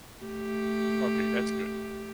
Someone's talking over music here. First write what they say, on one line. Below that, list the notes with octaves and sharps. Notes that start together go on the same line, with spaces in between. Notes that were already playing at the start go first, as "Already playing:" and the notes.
Okay. That's good.
A3 G4